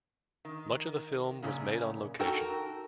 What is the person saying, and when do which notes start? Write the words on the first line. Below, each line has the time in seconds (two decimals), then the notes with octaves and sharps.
Much of the film was made on location.
0.45 D#3
1.43 F#2 A#2 C#3
2.19 D#4 F#4 A4 A#4 G5 A5